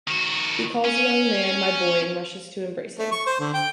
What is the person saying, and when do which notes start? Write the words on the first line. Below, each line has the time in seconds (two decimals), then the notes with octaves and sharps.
He calls the young man "my boy" and rushes to embrace him.
0.07 D#3 F#4
0.85 C#4
2.99 A3
3.12 C#6
3.27 C5
3.40 D3
3.54 G5